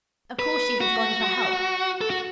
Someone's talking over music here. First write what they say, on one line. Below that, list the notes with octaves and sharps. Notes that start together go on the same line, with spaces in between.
Of course she has gone for help.
B4
F#4
A4
F#4